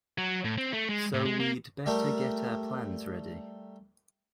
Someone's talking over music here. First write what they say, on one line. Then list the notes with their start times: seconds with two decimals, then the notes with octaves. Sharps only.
So we'd better get our plans ready.
0.18 F#3
0.45 A2
0.58 C4
0.73 A3
0.89 G#3
1.14 A2
1.25 G#3
1.40 A#3
1.86 G3 A3 A#4